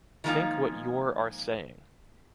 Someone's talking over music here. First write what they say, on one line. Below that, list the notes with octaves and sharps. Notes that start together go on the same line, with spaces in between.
Think what your are saying.
D#3 F3 G#3 A#3 D#4 F4